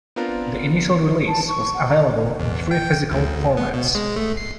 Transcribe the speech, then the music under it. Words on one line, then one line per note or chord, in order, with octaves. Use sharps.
The initial release was available on three physical formats.
B3 C4 D4 F4 A#4
A5
C#6
F#5
A#5
E2
G5
D2
B3
B2
G#3
A3
C7